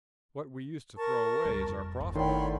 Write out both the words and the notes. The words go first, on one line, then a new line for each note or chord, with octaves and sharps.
What we used to throw away is our profit.
A#4 A5 C#6
C#2 G3
F2
G1
A2 D3 D#3 C#5 G5 B5 C6